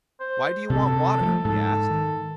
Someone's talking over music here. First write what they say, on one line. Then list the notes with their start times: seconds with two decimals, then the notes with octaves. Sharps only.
"Why do you want water?" he asked.
0.20 C5
0.70 C3 A4
1.21 F3 G3 A3
1.45 G#2 A4
1.90 D#3